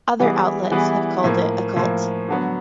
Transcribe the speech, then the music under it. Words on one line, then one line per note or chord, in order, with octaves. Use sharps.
Other outlets have called it a cult.
E3 G3 B3 E4 G#4
E3 G3 B3 E4 G#4
A2 F3 A#3
A2 F3 A#3
D3 F#3 B3